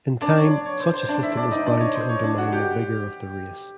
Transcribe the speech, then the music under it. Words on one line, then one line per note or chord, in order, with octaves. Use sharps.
In time, such a system is bound to undermine the vigour of the race.
D4 D5
C#5
D4 D5
C#5
C5
C5
D4 D5
E4 E5
D4 D5
D#4 D#5
D4 D5
C#5
C5
C#5
D4 D5
F#4 F#5
G4 G5